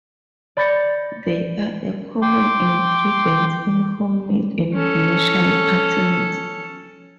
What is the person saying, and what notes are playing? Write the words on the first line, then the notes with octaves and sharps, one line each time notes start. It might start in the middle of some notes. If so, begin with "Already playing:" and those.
They are a common ingredient in homemade and commercial party mix.
D5 B5 G6 A6 A#6 C#7
G5 C6 D6
C#4 A4